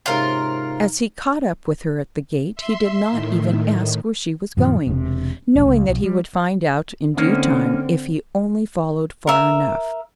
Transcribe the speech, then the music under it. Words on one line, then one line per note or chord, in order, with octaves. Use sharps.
As he caught up with her at the gate, he did not even ask where she was going, knowing that he would find out in due time if he only followed far enough.
G#2 C3 C#4 F4 A#4
E5 C6
A2 D#3
F#2 A#2 D#3 F3
E1 C3
D#1 A#1
C#2
B1
G3
D3 A#3 C4 C#4 D#4
A#4 E5